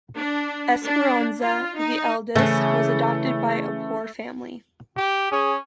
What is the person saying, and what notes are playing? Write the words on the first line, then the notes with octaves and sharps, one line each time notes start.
Esperanza, the eldest, was adopted by a poor family.
D4
D4
F4
D#4
C#3 E3 A3
G4
C#4 G#4